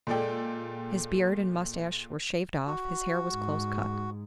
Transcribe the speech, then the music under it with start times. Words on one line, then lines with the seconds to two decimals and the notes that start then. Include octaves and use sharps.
His beard and mustache were shaved off; his hair was close cut.
0.07 A#2 G#3 A4 D5 G5
2.67 F#4
3.31 G#2